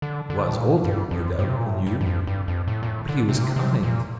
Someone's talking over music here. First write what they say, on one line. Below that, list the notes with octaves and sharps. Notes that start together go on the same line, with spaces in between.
He was older, no doubt, than you, but he was kind.
D3
D3
A2
A#2
G2
F2
G2
C3
A#2
A2
G2
G2
F2
G2
F2
A2
A#2
A2
D3
C3
A#2
C3
C3
A#2